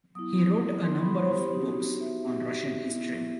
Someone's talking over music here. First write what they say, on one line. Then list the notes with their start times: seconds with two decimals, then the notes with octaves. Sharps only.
He wrote a number of books on Russian history.
0.15 F#3 B3 E4 D#6
0.49 D#6
0.82 C6
0.99 B5
1.16 C5
1.33 G4
1.50 B3 D#4 F#4 G4
1.67 F#4
1.84 G4
2.00 E5
2.86 B3 E4